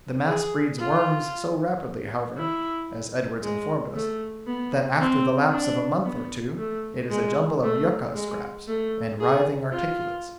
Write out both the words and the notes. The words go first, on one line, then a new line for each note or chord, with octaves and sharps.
The mass breeds worms so rapidly, however, as Edwards informed us, that after the lapse of a month or two it is a jumble of yuca scraps and writhing articulates.
G#4
F4
E4
G#3
A3
B3
C4
D4
B3
A3
G#3
A3
G#3
A3
G#4
F4